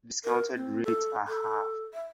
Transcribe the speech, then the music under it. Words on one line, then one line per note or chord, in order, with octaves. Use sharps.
Discounted rates are half.
A#4
C4
A4
A4
E5